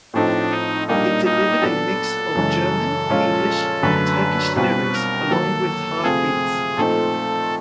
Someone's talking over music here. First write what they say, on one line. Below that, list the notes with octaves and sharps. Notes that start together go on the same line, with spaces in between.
It delivered a mix of German, English, and Turkish lyrics along with hard beats.
A2 F3 A3 C4 D4 D#4
D#4
A#2 G3 A#3 D4 D#4 F4
D#4
A#2 F#3 B3 D4 A4
F#2 C#3 E3 G#3 C#4
A#2 F3 G#3 C#4 F4
F#2 D3 F#3 A3 B4
B2 G3 C4 F4 B4
A#4
D#3 F#3 A#3 A4
C3 F3 A3 C4 F4 G#4
A#2 F3 A3 C4 D#4 A4